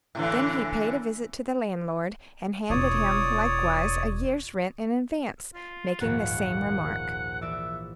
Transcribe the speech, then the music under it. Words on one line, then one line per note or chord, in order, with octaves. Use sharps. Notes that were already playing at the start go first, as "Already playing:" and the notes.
Then he paid a visit to the landlord, and handed him, likewise a year's rent in advance, making the same remark.
A2 D3 E3
E1 F4 C#5 D5 D#6
F4
A#1 D#2 G#2 F#5
E3 D5 E5 D7